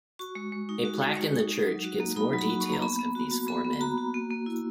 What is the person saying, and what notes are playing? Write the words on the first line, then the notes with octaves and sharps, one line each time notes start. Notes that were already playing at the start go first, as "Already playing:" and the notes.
A plaque in the church gives more details of these four men.
F#4 C#6
G#3
G#3
D#4
F#4
G#3
G#3
D#4
D#4
F#3
F#4
A#3
D#4 B5
F#3
B5
F#4
C#6
A#3
A#5
B3 B5
B3
F#4
F#4
B3 B5
B3
B5
F#4 A#5
F#4
A#3
A#3
E4